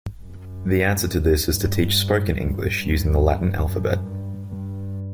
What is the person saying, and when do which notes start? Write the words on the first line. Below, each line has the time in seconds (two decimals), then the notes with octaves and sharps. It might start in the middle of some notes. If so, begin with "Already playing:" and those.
The answer to this is to teach spoken English using the Latin alphabet.
0.23 F#2
1.50 G2
2.36 G2
2.79 G2
3.64 F#2
4.06 G2
4.48 G2